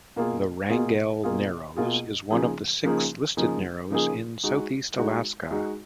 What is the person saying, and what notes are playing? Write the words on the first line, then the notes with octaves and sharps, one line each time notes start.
The Wrangell Narrows is one of the six Listed narrows in Southeast Alaska.
B2 A#3 F4 G#4
B2 A#3 F4 G#4
B2 A#3 F4 G#4
B2 A#3 F4 G#4
C#3 F3 A#3 D#4 G#4
C#3 F3 A#3 D#4 G#4
C#3 F3 A#3 D#4 G#4
C#3 F3 A#3 D#4 G#4
G#3 D#4 F#4
G#3 D#4 F#4
G#3 D#4 F#4